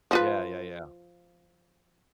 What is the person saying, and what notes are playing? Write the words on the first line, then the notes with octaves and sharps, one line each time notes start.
Yeah, yeah, yeah.
F3 F4 B4